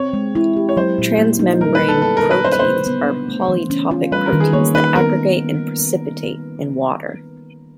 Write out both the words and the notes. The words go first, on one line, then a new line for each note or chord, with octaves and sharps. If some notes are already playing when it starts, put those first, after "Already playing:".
Transmembrane proteins are polytopic proteins that aggregate and precipitate in water.
Already playing: C4 C#5
G#3
E4
G4
C#5
F#3 C5
A#2
A#3
D#4
G3 A#4
B4
D3
A4
B3 A4
A#4
D3
B4
F#3 C5
B4
C5
C#3
B3
D4
A3
E3
C#4
F4
G3 B4
A#4
D#3
G#4
A#3 C#5
D#4 B4
B3 A#4